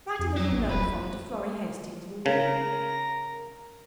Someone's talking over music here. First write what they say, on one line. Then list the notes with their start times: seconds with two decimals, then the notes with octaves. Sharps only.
Write a little note for me to Florrie Hastings, will you?
0.19 F2
0.36 F#3
0.52 A1
0.70 D#1 B4 B5
2.26 C#3 A#4